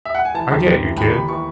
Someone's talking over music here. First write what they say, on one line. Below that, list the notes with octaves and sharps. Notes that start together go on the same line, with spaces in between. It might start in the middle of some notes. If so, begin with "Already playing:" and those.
"I get you, kid."
E5
F#5
G#5
E3 A5
D#2
D#2
E3
D#2 B5
D#2 B5
E3 C#6